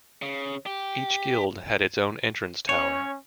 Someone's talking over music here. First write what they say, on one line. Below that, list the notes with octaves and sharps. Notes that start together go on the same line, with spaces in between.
Each guild had its own entrance tower.
C#3
G4
C#4 C#5